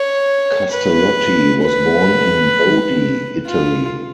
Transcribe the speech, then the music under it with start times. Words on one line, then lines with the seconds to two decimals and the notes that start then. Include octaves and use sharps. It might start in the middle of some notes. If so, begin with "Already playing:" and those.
Castellotti was born in Lodi, Italy.
Already playing: C#5
0.72 B4
1.63 B4
3.47 F4